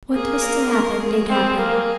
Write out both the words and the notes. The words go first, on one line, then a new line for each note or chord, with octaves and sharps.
What was to happen did happen.
A#3 G#4
A#4
A#4
G#4
C4
A#3